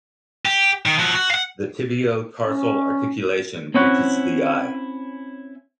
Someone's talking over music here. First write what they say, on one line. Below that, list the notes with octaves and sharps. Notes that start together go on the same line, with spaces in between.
The tibio-tarsal articulation reaches the eye.
G4
D#3
F3 F#4
F#4
F5 F#5
C#4
C4 C#4 E4 C#5 F#5